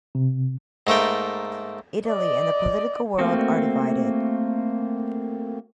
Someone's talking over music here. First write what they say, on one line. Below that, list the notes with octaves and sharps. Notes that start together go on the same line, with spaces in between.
Italy and the political world are divided.
C3
G#2 A3 A#3 G5
D5 D#5
A3 A#3 C4 F#4